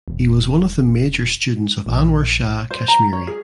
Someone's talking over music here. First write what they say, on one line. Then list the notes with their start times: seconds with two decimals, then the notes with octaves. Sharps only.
He was one of the major students of Anwar Shah Kashmiri.
0.08 E1
1.86 A#1
2.71 C5
2.88 A#5
3.13 C#5
3.27 G#4